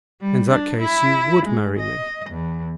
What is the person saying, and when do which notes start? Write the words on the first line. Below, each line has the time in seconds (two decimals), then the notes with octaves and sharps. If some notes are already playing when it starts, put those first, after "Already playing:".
"In that case you--would marry me?"
0.21 G3
0.50 D4
0.81 E4
1.46 G#3
1.79 D#5
2.30 E2